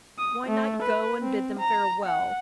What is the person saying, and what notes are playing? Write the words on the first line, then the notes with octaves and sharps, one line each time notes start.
Why not go and bid them farewell?
D#6
A3
B4
C4
A#5
F#5